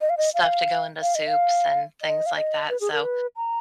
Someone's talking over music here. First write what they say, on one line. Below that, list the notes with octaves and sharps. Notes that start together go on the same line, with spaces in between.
stuff to go into soups and things like that, so
D#5
F5
D#5
F5
F5
D#5
F5
D#5
F5
D#5
B4
G#4
A#4
B4
A#5